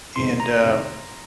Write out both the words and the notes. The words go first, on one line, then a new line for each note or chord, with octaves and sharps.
and, um,
F2 C3 D#3 G#3 C4 C6
A#5
F2 C3 D#3 G#3 C4